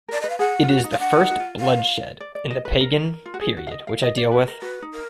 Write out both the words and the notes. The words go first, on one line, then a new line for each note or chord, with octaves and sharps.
It is the first blood shed in the pagan period which I deal with.
A#4 D5
B4 D#5
F5
G#4 F#5
F4
F#4
D#4
F5
D4 F#5
F4
D#4
F#4
F4
F5
D5
D5
D#5
B4
A#4
F4
F#4
G#4
F#4
F5
D#5
F5
D#5
D5
B4
A#4
F#4 B4
D#4
A#4